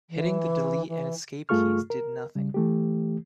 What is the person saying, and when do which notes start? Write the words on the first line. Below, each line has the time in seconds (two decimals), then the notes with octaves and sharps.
Hitting the delete and escape keys did nothing.
0.10 E3
0.88 E3
1.49 G2 A3 F4 G#4 C#6 F6
1.90 A#4
2.35 C#3 G3
2.54 E3 A3 G4